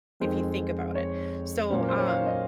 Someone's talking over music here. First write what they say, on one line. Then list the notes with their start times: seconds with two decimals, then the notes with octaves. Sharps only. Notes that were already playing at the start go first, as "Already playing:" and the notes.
if you think about it. So, um,
0.20 F2 D#3 G#3 C4 C5
0.95 C#5
1.70 A#2 F#3 C#4 C5
1.80 A#4
1.88 C5
1.98 C#5
2.08 F5
2.26 D#5